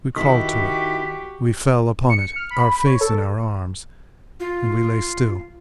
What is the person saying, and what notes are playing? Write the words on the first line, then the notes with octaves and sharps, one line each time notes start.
We crawled to it, we fell upon it, our face in our arms, and we lay still.
D#3 E4 F#4 G4 B6
C#7
F6
B5
C#5
A4
F4